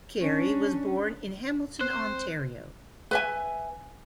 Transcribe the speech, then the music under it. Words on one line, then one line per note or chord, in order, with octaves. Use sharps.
Carrie was born in Hamilton, Ontario.
C#4 D4
C4 C5 F#6
B4 E5 G#5